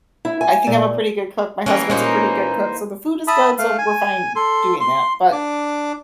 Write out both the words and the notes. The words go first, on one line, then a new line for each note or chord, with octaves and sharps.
I think I'm a pretty good cook, my husband's a pretty good cook, so the food is good, so, we're fine doing that, but
E4
G#5
A#2
E3 A#3 C#4 G4
A#2 E3 A#3 C#4 D#4 C5
E5 A5 B5 D#6
A3 F5
G#5
A4 C6
C6
D4 D6